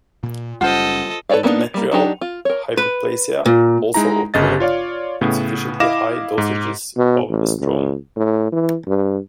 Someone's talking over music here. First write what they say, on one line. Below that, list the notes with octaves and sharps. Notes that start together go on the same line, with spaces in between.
Endometrial hyperplasia also occurred with sufficiently high dosages of estrone.
A#2
F#1 G3 C#4 F4 A4 C5 D#5 F#5
A4 B4 C#5 D5 F5
G3 A#3 B3 D4 D#4
G3 A#3
F#3 D4 D#4 G4
F4
A#4 C#5
B4
A#2
G#3 D#4 E4 A#5
G1 C#3 D#5 A6
F4 C#5 D5 F5
A2 C#3 B3
E4 D#5 F5 D6 A#6 E7
G#2
B2
A1
C#2
A2
E3
G2